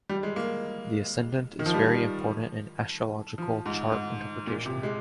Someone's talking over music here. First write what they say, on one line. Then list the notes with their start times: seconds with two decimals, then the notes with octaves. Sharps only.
The ascendant is very important in astrological chart interpretation.
0.10 G3
0.23 G#3
0.36 A#3
1.59 D#3
1.66 F3
1.74 G3
3.38 F3
3.66 G#2
3.92 G#2
4.47 A#2
4.66 C3
4.83 G#3